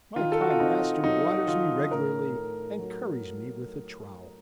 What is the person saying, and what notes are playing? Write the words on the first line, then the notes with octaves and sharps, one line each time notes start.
My kind master waters me regularly and curries me with a trowel.
D#3 F4
A4
F#4
F4
C4 D#4
F#3 D#4
F#4
D#3 F4
A2 A#4
A3
F#3